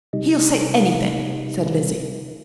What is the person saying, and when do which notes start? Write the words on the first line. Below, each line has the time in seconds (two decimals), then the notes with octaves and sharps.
"He'll say anything," said Lizzie.
0.13 C3 G3 D#4